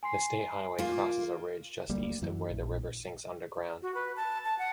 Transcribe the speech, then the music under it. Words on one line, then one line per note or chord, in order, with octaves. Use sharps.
The state highway crosses a ridge just east of where the river sinks underground.
G#5 C6 C7
A#3 F4
D2 G3 A#3
F#2 E3
A#1
F#4
B4
A5
A5
F#5